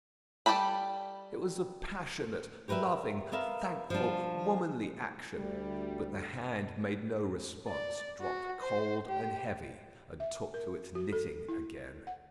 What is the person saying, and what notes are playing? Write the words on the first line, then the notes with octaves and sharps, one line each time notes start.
It was a passionate, loving, thankful, womanly action, but the hand made no response--dropped cold and heavy, and took to its knitting again.
G3 G4 A4 A5 B5
G4 A#4 B4 D5 E5
B3 A#4 E5 F5
F3 G3 D4
D2 G3
D5
F#4
C5
G4
E5
A#4
F#4
A4
E4
F#5